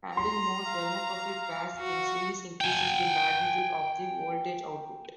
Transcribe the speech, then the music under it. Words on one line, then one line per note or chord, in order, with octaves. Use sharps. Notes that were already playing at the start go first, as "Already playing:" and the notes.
Adding more thermocouple pairs in series increases the magnitude of the voltage output.
A#5 C6
F5
F#4
G5 G#5